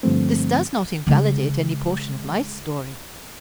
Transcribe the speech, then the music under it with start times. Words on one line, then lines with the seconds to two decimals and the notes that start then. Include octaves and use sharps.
This does not invalidate any portion of my story.
0.03 G2 D3 F3 A3 C4
1.07 C#3 G#3